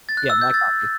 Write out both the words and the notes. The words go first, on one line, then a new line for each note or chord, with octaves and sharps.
Yeah, black coffee.
A6
F#6
E6
G6
A6